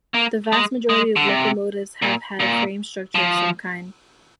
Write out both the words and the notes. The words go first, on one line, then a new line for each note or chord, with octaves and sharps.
The vast majority of locomotives have had a frame structure of some kind.
A#3
G#3
G#3
D3
C3
A#2
A#2
F3